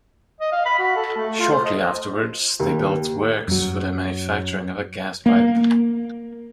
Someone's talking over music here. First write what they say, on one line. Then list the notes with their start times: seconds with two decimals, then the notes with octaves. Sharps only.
Shortly afterwards, they built works for the manufacturing of a gas pipe.
0.41 D#5
0.52 F5
0.66 B5
0.79 F#4
0.96 A4
1.17 A3
1.40 F4
1.52 C5
1.65 D#5
2.60 D#2
3.48 F#2 F#3
5.26 A#3